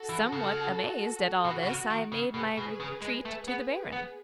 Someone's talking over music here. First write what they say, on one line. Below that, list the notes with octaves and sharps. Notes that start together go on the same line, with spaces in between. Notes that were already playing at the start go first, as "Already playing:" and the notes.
Somewhat amazed at all this, I made my retreat to the Baron.
Already playing: F#4 A4
E3
C#3
B2 F#4
B2
C#3
D#3
C#3
B2 G#4 B4
B2
C#3
G#3
A3 G#4 B4
B3
B3